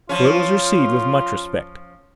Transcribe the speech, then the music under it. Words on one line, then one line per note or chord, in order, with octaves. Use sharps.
So it was received with much respect.
F3 C#4 F4